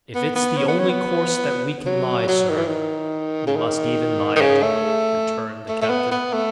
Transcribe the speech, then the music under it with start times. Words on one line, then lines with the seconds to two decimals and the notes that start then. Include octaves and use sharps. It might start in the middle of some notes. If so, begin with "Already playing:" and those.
"If it's the only course that we can lie, sir, we must even lie it," returned the captain.
0.15 B3
0.35 B3
0.57 C#4
0.68 B3
0.79 C#4
0.89 B3
1.86 F#3
2.28 F#3
2.49 D#3
2.57 E3
2.66 D#3
3.47 C#3
3.56 D#3
4.36 D#3
4.41 C#3
4.63 A3
5.69 A3
5.82 A3
5.90 B3
6.11 B3
6.33 A3